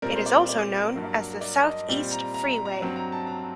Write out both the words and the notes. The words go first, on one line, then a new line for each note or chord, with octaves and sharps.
It is also known as the Southeast Freeway.
A#2 G3 C4 A#4
C5
D5
D5
G2 F#3 A#3
D5
D#5
A#2 G3 C4
A#5
A#5
A#5
A#5
G2 F#3 C4
A#5
A5
A#5